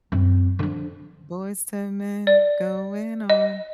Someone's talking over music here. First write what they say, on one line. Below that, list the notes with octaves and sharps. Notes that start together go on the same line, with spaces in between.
Boyz II Men going on
F#2 C4
D3 F3
D5
D#5